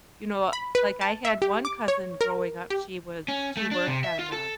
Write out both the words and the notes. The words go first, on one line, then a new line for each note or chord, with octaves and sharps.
you know like, I had one cousin growing up, she was she worked on the
B5
B4
A5
E5
G4
D6
C#5
A#4
G4
C#4
A3
D4
C3
E5
F4
A4